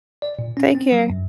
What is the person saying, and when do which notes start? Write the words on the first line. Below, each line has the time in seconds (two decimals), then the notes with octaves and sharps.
take care.
0.22 D5
0.39 A#2
0.57 C#4
0.75 C4
0.92 F#3
1.10 F#2